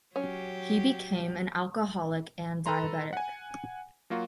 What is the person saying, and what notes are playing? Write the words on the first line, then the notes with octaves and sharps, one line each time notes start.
He became an alcoholic and diabetic.
F#3 C#4 G4
A4 B4 A#5 C6
F#5 G#5
F#3 A#3 F4 F#4